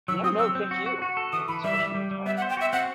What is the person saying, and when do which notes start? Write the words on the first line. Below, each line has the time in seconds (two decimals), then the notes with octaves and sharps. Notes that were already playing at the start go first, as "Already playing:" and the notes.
Yeah, no, thank you. Thank you so much for your time.
0.08 F#3 E6
0.24 C4 D#6
0.39 F#3 E6
0.55 C4
0.71 F#4
0.86 F#4
1.02 F#4
1.17 A4
1.33 E3 D#6
1.48 E3 B5
1.64 G3 E5
1.79 G3
1.95 G3
2.11 G3
2.26 B3 E5
2.37 F#5
2.42 C5
2.50 G5
2.57 F#4 E5
2.73 C4 F#5